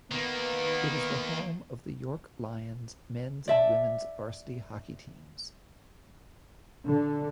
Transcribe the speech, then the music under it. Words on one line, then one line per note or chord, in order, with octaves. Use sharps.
It is the home of the York Lions men's and women's varsity hockey teams.
D#3 A#3 B3
D5 E5 A5
D3